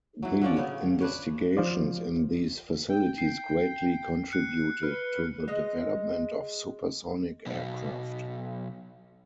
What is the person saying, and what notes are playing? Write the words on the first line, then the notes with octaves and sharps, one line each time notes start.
The investigations in these facilities greatly contributed to the development of supersonic aircraft.
E3 F#3
D3 F3 C#4 D5
C#3 B3 C#5
D4 B4 C#5
F3 F4 D5
G5
C7
F#6 C#7
B4 F6
G#3 D#5
B1 B2